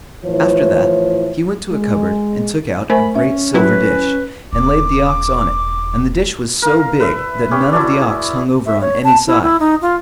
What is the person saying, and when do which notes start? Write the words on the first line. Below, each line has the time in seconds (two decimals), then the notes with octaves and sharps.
After that, he went to a cupboard and took out a great silver dish, and laid the ox on it; and the dish was so big that none of the ox hung over on any side.
0.24 A2 E3 F3 C#5
1.70 G#3
2.90 A3 A#4 C5 G#5 B5
3.15 C#4 E5
3.54 F#3 E4 G4 B4
4.53 E1 D6
6.62 A#4 F5
7.00 B4 E5
7.51 C#4 G4 E5
7.72 E4 F#4 A4 D5
8.01 G#4
8.66 E5
8.81 C#5
9.04 A5
9.27 E4
9.43 E4
9.60 D#4
9.82 F4